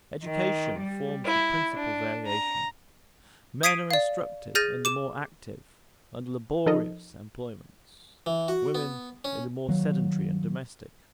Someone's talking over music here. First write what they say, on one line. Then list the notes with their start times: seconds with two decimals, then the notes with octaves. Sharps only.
Education forms the principal variation: men are instructed in the more active and laborious employments, women in the more sedentary and domestic.
0.24 D#3
0.78 G3
1.26 E4
1.74 D4
2.27 A#5
3.63 D#6 G#6 B6 C7 D7 D#7
3.91 D5 F5
4.55 G#4 F6 G6 A6 A#6 D#7
4.85 D6 E7
6.66 F3 D#4 A4 A#4 D#5
8.26 E3
8.48 F#4
8.75 B3
9.25 C#4
9.68 D#3 F#3 A#3